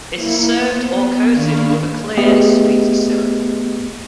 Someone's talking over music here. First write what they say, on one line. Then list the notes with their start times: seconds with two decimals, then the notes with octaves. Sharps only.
It is served or coated with a clear, sweet syrup.
0.16 A#3 E4 C#7
0.61 B3 C5
0.93 B3
1.31 D#3 A#3 D4 F5 B5 C#6
2.17 A3 B3 G4 G#4 D#5 E5